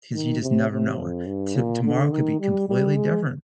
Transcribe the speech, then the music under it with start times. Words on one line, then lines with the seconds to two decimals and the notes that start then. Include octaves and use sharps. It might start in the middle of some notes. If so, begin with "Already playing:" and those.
'cause you just never know. T tomorrow could be completely different
0.14 D#3
0.42 C3
0.70 C3
0.98 F2
1.26 G2
1.55 A#2
1.84 D3
2.12 D#3
2.40 G3
2.68 G3
2.96 G#3